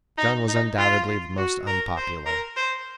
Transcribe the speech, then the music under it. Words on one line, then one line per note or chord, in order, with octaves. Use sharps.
John was undoubtedly the most unpopular.
D#4
D#4
F4
F#4
A#4
C5
A#4
C5